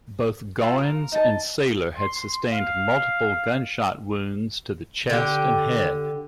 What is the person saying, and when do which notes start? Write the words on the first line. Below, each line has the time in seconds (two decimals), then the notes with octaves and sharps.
Both Goines and Sailor had sustained multiple gunshot wounds to the chest and head.
0.61 F4 E5
0.78 A#4
1.12 D#4 A5
1.95 C6
2.52 F5
5.10 D3 G4